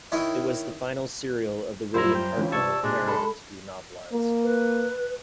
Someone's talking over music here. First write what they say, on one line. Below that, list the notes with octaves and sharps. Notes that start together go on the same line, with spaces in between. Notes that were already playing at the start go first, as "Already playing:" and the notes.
It was the final serial of the William Hartnell era to be novelised.
D#3 E4 C#5
F#2 G3 E4 F4 C5 A#5
G5
C#2 E3 C#4
C3 D5 A5 C#6 E6 G#6
A#2 G#3 D4
A4 B5
A#3
B4